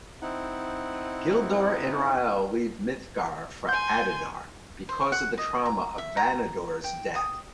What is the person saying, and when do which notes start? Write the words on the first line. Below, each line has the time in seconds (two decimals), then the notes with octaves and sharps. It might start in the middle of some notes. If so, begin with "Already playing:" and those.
Gildor and Rael leave Mithgar for Adonar, because of the trauma of Vanidor's death.
0.22 C4 D#4 E4 F#5
3.69 G#5 C6 G6
4.89 C5
5.12 F#5
5.38 D#5
5.66 A#5
5.98 E5
6.17 A#5
6.84 G5
7.15 D#6